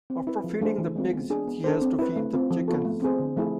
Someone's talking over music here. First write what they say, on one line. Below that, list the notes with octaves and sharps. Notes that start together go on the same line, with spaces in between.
After feeding the pigs, she has to feed the chickens.
C4
E4 B4
F3
A3 D4 G#4 C5
E3
G#3 C4 F4
B3
D4 G#4
B3
D4 A4 C5
C4
E4 B4
A3
C4 F4
F3
B3 F4 A4
A3
C4 G#4 C5
D3
F3 A3 E4 G#4